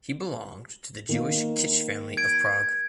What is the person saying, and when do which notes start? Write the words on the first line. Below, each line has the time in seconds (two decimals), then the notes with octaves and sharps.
He belonged to the Jewish Kisch family of Prague.
1.09 D#3 A#3
2.17 G#6 D7